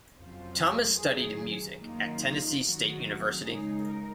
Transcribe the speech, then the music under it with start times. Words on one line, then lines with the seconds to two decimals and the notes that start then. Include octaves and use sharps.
Thomas studied music at Tennessee State University.
0.17 F2 C3 F#3 C#4 F4 C5
0.98 F#2 D#3 F#3 G#4
1.79 F#2 D#3 A#3 D#4 F4
2.60 D#3 F#3 C4 F#4
3.41 C#3 G#3 D#4 G#4
3.83 A#4